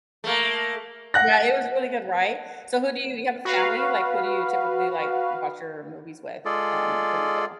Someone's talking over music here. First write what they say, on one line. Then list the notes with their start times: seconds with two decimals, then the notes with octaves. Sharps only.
Yeah, it was really good, right? So who do you you have a family, like, who do you typically, like, watch your movies with, um, when you go?
0.24 A3 A#3
1.14 F#5 F#6 A#6
3.45 F#4 B4 F5
6.45 G#3 F4 G#4 A4 D5